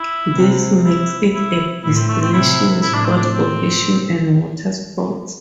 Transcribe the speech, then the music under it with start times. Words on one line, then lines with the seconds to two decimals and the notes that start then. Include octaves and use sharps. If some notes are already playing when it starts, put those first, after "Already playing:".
This makes it a destination spot for fishing and water sports.
Already playing: E4
0.36 C3
0.85 E4
1.34 E4
1.84 A2 E4
1.96 C4
2.08 A3
2.21 C4
2.33 C3 E4
2.82 A2 E4
2.94 D4
3.04 C4
3.17 D4
3.33 C4